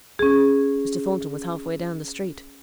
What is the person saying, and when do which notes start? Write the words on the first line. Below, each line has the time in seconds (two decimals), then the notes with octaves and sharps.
Mr. Thornton was half way down the street.
0.19 C#4 G#4